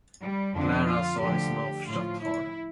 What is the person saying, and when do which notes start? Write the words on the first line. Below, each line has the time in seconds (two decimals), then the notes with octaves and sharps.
Clara saw his mouth shut hard.
0.21 G3
0.54 F2 D3 F3 D4
0.87 F4
1.20 D2 D3 F3 G4
1.86 A2 F3 F4
2.20 E4